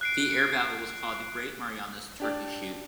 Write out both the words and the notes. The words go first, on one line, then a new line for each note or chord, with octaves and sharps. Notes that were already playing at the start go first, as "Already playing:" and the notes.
The air battle was called the "Great Marianas Turkey Shoot".
F#6 C7 D7
D4 G4 D5